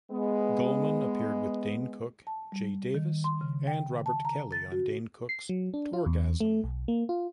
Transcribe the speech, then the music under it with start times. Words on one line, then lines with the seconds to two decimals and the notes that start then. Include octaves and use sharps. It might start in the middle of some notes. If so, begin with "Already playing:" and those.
Gulman appeared with Dane Cook, Jay Davis, and Robert Kelly on Dane Cook's "Tourgasm".
0.11 G#3 B3
2.27 A5
2.52 G3
2.95 D#3
3.24 C6
3.41 C#3
3.67 G5
4.06 A5
4.25 A#5
4.52 A6
4.72 F#4
5.29 C7
5.49 F#3
5.74 D4
5.93 F4
6.06 E2
6.40 A3
6.64 B1
6.88 A#3
7.09 F4